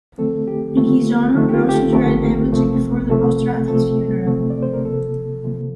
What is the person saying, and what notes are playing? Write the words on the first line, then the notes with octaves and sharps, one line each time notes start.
In his honor, Drusus read a eulogy before the rostra at his funeral.
D3 F3 A3 C4 A4
G4
D3 F3 A3 C4 F4
D3 F3 A3 C4 D#4
G4
F4
G4
A4
D3 F3 A3 C4 A#4
C3 F3 A3 C4
C3 F3 A3 C4 A4
C3 F3 A3 C4 A4
C3 F3 A3 C4
D5
C5
A#4
C3 F3 A#3 A4
C3 F3 A#3